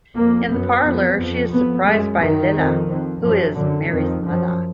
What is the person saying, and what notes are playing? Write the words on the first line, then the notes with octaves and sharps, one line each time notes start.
In the parlor she is surprised by Lila, who is Mary's mother.
F2 A#3
F#2 B3
F2
F2
F2 B3
F#2 G#3
F#2 D#3
F2
F2
F#2 F3
F#2 D3
F2 D#3
F#2 F3